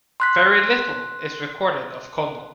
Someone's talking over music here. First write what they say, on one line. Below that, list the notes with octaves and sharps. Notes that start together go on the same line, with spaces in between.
Very little is recorded of Conall.
C6 F#6 B6